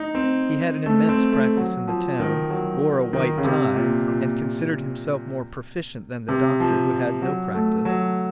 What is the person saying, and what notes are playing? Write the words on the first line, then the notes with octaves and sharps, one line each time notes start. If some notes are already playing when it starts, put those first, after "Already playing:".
He had an immense practice in the town, wore a white tie, and considered himself more proficient than the doctor, who had no practice.
Already playing: D#4
C4
A3
C4
A3
F#3
F3
D#3
F#3
D#3
C#3
C3
A#2
A#2
C3
F3
F#3
A3
F#3